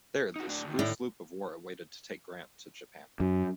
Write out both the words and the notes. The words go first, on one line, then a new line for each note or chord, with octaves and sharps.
There, the screw sloop of war awaited to take Grant to Japan.
D#4 F#4
A2 D4
D2 D#3
A2 D#3 D5
F#2